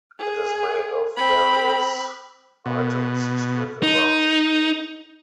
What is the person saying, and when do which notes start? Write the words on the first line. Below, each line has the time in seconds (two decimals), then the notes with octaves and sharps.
It is made of various items split around the screen.
0.19 G#4
1.17 C4 B5
2.66 B2
3.83 D#4